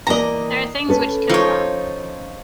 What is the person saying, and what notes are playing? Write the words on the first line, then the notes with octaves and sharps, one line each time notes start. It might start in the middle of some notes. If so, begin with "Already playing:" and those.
There are things which kill love.
E3 A#3 D5 D#5 A#5
C#4 A4 B4
F3 D#4 C#5